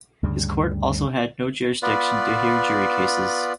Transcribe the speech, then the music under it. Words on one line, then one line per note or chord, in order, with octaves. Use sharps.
His court also had no jurisdiction to hear jury cases.
D2 G2 C#3 G3
B3 F4 B4 D5